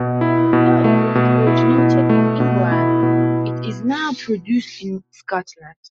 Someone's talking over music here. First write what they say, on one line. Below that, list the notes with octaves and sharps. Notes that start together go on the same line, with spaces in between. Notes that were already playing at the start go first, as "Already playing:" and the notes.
Although it originated in England, it is now produced in Scotland.
Already playing: B2
E4
B2
A3
B2
E4
B2
A3
B2
E4
B2